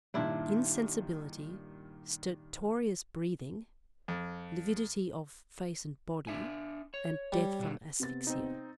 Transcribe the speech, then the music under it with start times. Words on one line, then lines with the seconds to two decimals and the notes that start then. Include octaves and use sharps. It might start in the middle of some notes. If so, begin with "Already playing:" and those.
Insensibility, stertorous breathing, lividity of face and body, and death from asphyxia.
0.14 G2 A#2 D#3 D4 E4
4.08 F2
6.27 D4 E5 G#5
6.94 C#5
7.32 G3
7.59 B2 D3
8.00 C3 B3 A6
8.27 C4 D#4